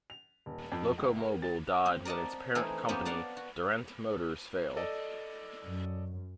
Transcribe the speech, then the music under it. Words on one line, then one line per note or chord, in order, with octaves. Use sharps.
Locomobile died when its parent company, Durant Motors, failed.
F7
D#1
F2
C#2
A#4
A6
C4
A#4 D5 D#5 F#5 A5
E3 A3 C4 D#4 G#4 A#4
A#3 B3 C#4 D#4 F4 G4
D5 F5 F#5 A5
F#4
A4 D5 D#5
F#2